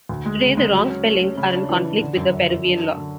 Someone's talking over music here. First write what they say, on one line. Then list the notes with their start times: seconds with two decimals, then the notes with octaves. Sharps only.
Today the wrong spellings are in conflict with the Peruvian law.
0.09 D2
0.26 G#3
0.42 C#3
0.57 G#3
0.73 F#3
0.89 C#4
1.05 A3
1.21 C#4
1.37 C#3
1.53 D4
1.69 E3
1.85 D4
2.01 D3
2.17 F#2
2.33 F#2
2.49 F#2
2.65 D4
2.81 D4
2.97 D3